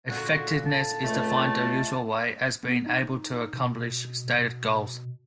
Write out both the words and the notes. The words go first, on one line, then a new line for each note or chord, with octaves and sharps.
Effectiveness, is defined the usual way: as being able to accomplish stated goals.
A#2 D3 F#4
A5
C#2 A3
B3
D#4
B2
B2